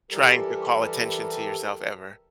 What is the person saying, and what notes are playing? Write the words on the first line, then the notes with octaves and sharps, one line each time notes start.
trying to call attention to yourself ever?
E3 G3 G4 A4 A#4